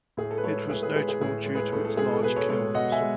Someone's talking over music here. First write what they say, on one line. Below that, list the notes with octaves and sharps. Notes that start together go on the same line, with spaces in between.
It was notable due to its large kilns.
A2 G#4
A4
B4
G#3 A4 C#5
A4
A2 G#4 B4
G#4 B4
G#3 G#4 B4
G#4
A2 G#4
G#3
G#4 B4
A2 A4
A4
G#3 G#4
A4
B2 G#4 B4
A4 C#5
G#3 A4 C#5
B2 D#5 F#5
E5 G#5
G#3